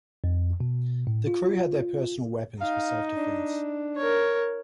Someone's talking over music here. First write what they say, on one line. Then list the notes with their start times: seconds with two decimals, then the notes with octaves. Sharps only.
The crew had their personal weapons for self-defense.
0.24 F2
0.60 B2
1.07 A2
1.27 F4
2.61 D#4 F5
3.17 D4
3.97 A#4 C#5